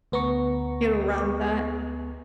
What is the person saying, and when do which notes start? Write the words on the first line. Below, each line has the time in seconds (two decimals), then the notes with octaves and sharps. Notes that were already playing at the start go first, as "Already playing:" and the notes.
get around that.
0.12 D2 B3 A#5 C#6